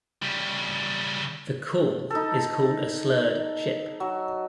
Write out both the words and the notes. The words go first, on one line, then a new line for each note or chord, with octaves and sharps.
The call is called a slurred "chip".
C#3 G3
D#4 A4
F#3